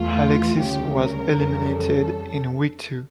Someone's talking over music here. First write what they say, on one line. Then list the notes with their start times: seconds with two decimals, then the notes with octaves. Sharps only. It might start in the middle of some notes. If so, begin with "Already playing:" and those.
Alexis was eliminated in week two.
Already playing: E2 E3 A3 F4
0.58 D2 C#3 G3 G4
0.97 A#4
1.35 F2 C#3 E3 G3
1.74 A4